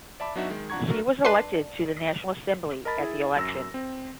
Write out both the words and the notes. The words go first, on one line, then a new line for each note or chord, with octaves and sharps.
She was elected to the National Assembly at the election.
D5 E5 A5 B5 D6
F#3 B3 D4 D#4 F#4 E5
D#3 G#3
F3 D4 F#5 A#5 C#6 G#6
F#3 A3 A#3 D4 F#4 A#4
D4 B4 C6 C7
A#4 D#5 A5 B5 A6
E4 G#4
F#2 E6 A#6
C4